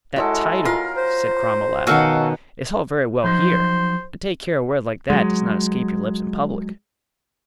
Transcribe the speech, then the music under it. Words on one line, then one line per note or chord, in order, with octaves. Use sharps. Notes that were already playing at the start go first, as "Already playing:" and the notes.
"That title," said Cromwell, laughing, "is all very well here, but take care a word like that does not escape your lips in public."
F#3 G#3 E4 A4
F4 A#4 C6
C5
B2 D#3 C#4 D#4 F#4 A4 F5 F#5
F3 F#3 D#4 C5
F#3 G#3